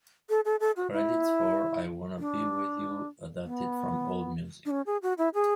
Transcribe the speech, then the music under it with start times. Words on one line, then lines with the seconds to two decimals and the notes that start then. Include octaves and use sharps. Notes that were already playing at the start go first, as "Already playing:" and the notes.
Credits for "I Wanna Be with You" adapted from AllMusic.
0.29 A4
0.45 A4
0.60 A4
0.76 F#4
0.93 E4
2.19 D4
3.44 B3
4.65 D4
4.70 C#4
4.86 G#4
5.02 F#4
5.18 E4
5.34 G#4